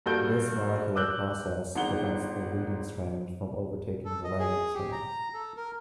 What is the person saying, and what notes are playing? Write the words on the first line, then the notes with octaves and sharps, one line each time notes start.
This molecular process prevents the leading strand from overtaking the lagging strand.
G2 A#3 F#4 A4 G6 D7
D6 E6 F#6 G6
G1 G#2 D#3 F#5 G7
A4
D#5
G#4
G4
A#5
A4
A#4